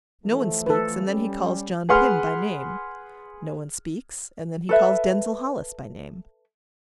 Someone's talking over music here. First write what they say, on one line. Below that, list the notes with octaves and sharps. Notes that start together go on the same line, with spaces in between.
No one speaks, and then he calls John Pym by name. No one speaks, and then he calls Denzil Hollis by name.
E3 F3 A3
A4 B4
G3 C#4
G#4 B4 F#5 C6 F6
A4 B4 E5